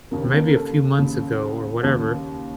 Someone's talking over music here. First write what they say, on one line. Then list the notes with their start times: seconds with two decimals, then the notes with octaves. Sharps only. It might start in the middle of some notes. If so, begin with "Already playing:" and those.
or maybe a few months ago or whatever.
0.11 D#2 C#3 A#3
0.22 C4
0.33 A#3
0.47 A#4
0.55 A4
0.98 D#2 C#3
1.83 D#2 C#3